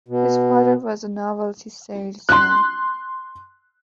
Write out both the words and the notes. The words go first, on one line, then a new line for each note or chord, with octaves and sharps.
His father was a novelty salesman.
B2
C6 F#6